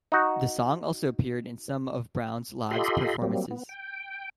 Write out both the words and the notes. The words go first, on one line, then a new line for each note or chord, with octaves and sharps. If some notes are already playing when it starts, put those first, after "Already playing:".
The song also appeared in some of Brown's live performances.
D#4 F#4
F4 G4 A4 D#5 B5 C6
F#3 G3 A#3 C4
B3
G5